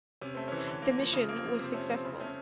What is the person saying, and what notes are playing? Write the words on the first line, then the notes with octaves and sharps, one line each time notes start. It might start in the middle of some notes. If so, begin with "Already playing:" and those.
The mission was successful.
C3 C#4
A3 C4
E3 C#4
D3
A#3
F3
C#3
A#3
F3
C3 C4
A3 C#4
F3 C4
C#3 C#4
C4
A3 C#4